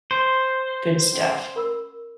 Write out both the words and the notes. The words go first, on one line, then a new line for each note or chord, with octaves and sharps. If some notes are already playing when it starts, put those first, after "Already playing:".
Good stuff.
C5
C#4
A#4 B5 E6